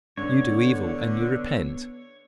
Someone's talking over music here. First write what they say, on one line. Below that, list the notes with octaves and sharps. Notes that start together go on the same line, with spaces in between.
You do evil, and you repent?
D3 B3 D4 C#5